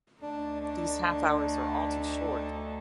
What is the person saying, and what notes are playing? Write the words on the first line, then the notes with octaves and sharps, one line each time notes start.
These half hours are all too short.
D2 D3 A3 D4 D#4 A4
D4